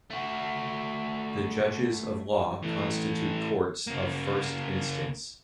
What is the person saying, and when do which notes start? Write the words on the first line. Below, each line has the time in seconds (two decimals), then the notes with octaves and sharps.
The judges of law constitute courts of first instance.
0.10 A3 F#4
2.63 E3 A3
3.87 C#3 A#3